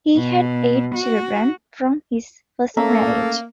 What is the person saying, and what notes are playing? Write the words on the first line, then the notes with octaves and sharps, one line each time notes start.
He had eight children from his first marriage.
B2
F#4
A3 A#3 C#4 A4 E5 A#5